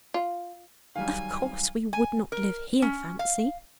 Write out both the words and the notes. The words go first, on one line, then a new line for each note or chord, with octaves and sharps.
Of course we would not live here, Fancy.
F4
D#3 F#3 G3 F5 G#5
G#5
A#4
C#4
F5